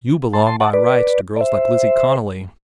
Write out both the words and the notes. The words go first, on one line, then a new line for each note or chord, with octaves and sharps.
You belong by rights to girls like Lizzie Connolly.
A5 C6
A5 C6
F#5 A5
B4 D5
D5
C5 E5